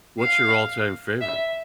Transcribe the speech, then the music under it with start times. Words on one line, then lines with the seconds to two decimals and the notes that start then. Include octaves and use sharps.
What's your all-time favorite?
0.20 F5
1.21 E5